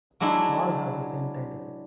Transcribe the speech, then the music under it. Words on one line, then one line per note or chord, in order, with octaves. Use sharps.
All have the same title.
F#3 G#3 D4 E4